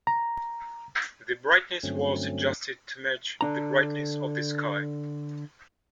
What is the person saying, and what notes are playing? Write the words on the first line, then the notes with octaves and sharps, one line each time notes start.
The brightness was adjusted to match the brightness of the sky.
A#5
G2 D3 F#3 A3 C4 C#4
D3 D4 A#5